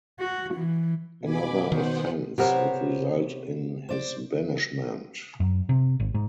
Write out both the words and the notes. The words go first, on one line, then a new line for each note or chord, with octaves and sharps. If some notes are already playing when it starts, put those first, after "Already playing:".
Another offence would result in his banishment.
F#4
E3
B2 G#5 B5 D6
D#3 B3 C5 F#5
C3 B3 G4 A#4 C5 C#5
C5 D5
F#2
C3
G#1
G#2